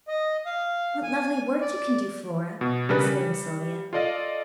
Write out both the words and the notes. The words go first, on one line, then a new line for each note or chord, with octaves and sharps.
"What lovely work you can do, Flora!" exclaimed Sylvia.
D#5
F5
G#5
D5
B2
C#3 G3 C#4 D4 A#4 B4
G3
F4 A4 D5 D#5 F5